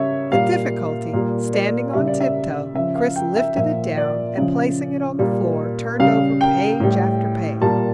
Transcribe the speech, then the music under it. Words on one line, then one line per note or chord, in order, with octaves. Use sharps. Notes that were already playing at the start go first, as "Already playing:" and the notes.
With difficulty, standing on tiptoe, Chris lifted it down, and placing it on the floor, turned over page after page.
Already playing: C#3 G3 C#5 E5
A#2 G3 F5
A#2 G3
D5
C#3 G3 E5
D5
E5
C#3 F3 E5
F5
G5
E5
A#2 F3 E5
D5
C#3 F3
A#2 G3
C#3 G3 F5
G5
A2 G3
A#2 G3 A5